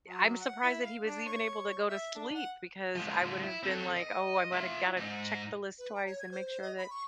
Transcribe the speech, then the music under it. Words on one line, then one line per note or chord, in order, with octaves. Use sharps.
I'm surprised that he was even able to go to sleep, because I would have been like, "Oh, I might've gotta check the list twice, and make sure that
F#3
F#5
E4
F5
D4
C#5
E5
D4
F#5
F3 G#3
E4
C4 A4
D#5
F4 E5
G#2 D#4
B4
A#5
C#5
G#6
C5
C5
D#5
B5
C#6